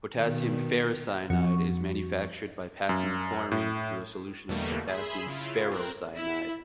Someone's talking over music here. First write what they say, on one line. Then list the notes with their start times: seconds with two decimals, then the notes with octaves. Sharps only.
Potassium ferricyanide is manufactured by passing chlorine through a solution of potassium ferrocyanide.
0.15 B2 D#3
1.30 F2 F#4 C#6
2.89 F#2
3.52 A2
4.49 E2 B2 D3 G3 A3 A#3
4.88 G#4 E5 B5 C6
5.27 C#3 E4 F4
5.72 C4 A#4 F#6
6.15 E4